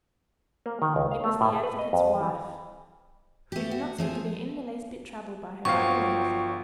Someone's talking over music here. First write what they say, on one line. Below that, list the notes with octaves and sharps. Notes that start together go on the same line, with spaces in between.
It was the advocate's wife, who did not seem to be in the least bit troubled by her ugliness.
A#3
D#3
C#2
F5
A3
A2
G#4
B4
D#5
F2
E3
A3 G4
F#4
F3 A3 G#4
G1 F3 F#3 F4 F5 G5 C#6